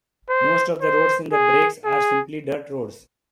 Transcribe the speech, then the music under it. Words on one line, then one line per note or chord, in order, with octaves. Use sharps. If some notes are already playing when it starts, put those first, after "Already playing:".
Most of the roads in the breaks are simply dirt roads.
C5
C5
G#4
G#4